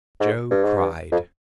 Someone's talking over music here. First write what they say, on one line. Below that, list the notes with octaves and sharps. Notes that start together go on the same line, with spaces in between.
Joe cried.
G#2
G2
G#2
G2
F2